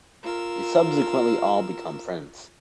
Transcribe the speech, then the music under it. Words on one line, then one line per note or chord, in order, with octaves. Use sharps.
They subsequently all become friends.
F4 A#4 E6